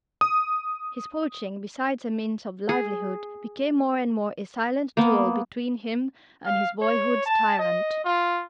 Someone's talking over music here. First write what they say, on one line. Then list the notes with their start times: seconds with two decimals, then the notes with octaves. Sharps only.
His poaching, besides a means of livelihood, became more and more a silent duel between him and his boyhood's tyrant.
0.21 D#6
2.69 G#4
4.97 A#3 B3
6.45 F5
6.81 C#5
7.26 A5
7.59 D#5
8.05 F4